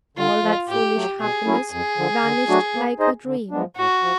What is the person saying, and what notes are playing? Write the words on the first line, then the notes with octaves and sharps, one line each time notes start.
All that foolish happiness vanished like a dream.
D3 F4
F3 G#3
A2 G4
F#3 A3
B2 G#4
F#3 A3 C#4 E4
F2 G#4
D3 F3
D3
F#3 A3 D4 F#4
A#3
D#4 G#4 C5 D#5
D3
F3 G#3 B3 D4
A2 F#4
F3